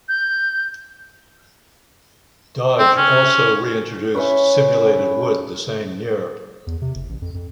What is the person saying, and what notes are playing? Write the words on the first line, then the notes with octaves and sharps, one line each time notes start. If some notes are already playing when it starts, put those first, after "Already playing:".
Dodge also reintroduced simulated wood the same year.
G6
C4
C#4
C#4 E4 B4 C#5
E2
C3
F#1
A1
F2
F2